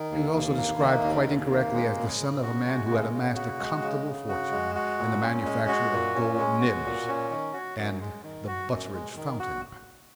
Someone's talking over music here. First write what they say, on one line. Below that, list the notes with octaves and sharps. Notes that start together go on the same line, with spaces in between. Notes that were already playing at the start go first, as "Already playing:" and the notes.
He was also described quite incorrectly as the son of a man who had amassed a comfortable fortune in the manufacture of gold nibs and the Butteridge fountain pens.
Already playing: D#3
D#2
D#2
A#3
D#3
D#2
D#2
A#3
G#3
C#3
C#3
F#4
G#3
C#3
C#3
F#4
G#3
C#3
C#3
F#4
G#3
F#4
A#2
C#4
G#3
F#4
A#2
C#4
G#3
F#4
A#2
C#4
D#3
F#4
F#2
G#3
D#3
F#4
F#2
G#3
D#3
F#4